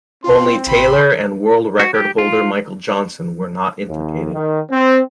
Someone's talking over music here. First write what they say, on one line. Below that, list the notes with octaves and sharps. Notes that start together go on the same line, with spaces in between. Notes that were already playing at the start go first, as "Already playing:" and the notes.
Only Taylor and world record holder Michael Johnson were not implicated.
C4 F4 C6
A1 G5 B5 C6
F#4
G4
F4
D#2
D#3
C4